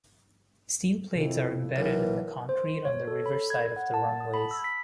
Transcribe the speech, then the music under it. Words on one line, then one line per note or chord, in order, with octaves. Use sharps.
Steel plates are embedded in the concrete on the river side of the runways.
F2 C3 E4
B1 E3 A#4
C5
C#5
A4
B5
G#6
F#5
A5
A6
D#6
B5
E6
B6